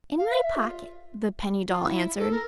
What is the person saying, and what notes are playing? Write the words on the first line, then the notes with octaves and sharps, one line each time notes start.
"In my pocket," the penny doll answered.
F5
E5
E5
F4
F4
E4
A4
A#4